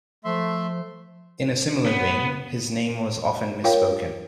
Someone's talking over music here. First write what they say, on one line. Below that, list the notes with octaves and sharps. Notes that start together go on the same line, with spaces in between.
In a similar vein, his name was often misspoken.
F3 A3 E5 C6
B3
F4 A#4 C#5 F5 G5